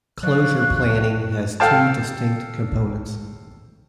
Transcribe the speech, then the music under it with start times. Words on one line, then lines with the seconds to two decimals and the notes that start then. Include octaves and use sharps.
Closure planning has two distinct components.
0.23 F3 F#3 D5 F5 C#6 F#6
1.60 A4 F5 G5 A5